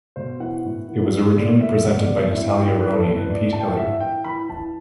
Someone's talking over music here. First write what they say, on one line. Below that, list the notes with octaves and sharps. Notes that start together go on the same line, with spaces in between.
It was originally presented by Nataylia Roni and Pete Hillier.
B2 C5
E3 F#5
A2
E3
E3
B2 D5
B2 E5
B2 F#5
D5
B2
D5
A2 E5
E3 G5
E3 B4
A4
E3 A4
B4
A2 D5
A2 A5
G5
F#5
A2 E5
E3 G5
E3 B5
E3 A5